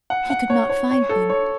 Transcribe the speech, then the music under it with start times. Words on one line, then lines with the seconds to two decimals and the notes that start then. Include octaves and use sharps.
He could not find one.
0.10 F#5
0.30 F#5
0.50 C#5
0.70 C#5
0.91 C#5
1.09 A4
1.30 C#5